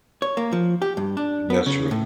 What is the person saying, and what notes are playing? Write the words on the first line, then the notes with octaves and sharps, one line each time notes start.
That's true.
C#5
A#3
F3
G4
G2
D4
B3
C#3
A2